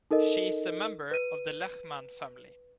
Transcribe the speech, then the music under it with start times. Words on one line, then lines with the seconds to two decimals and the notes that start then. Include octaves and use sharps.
She is a member of the Lehman family.
0.11 D#4 A4 A#4 D#5
1.11 B4 D#7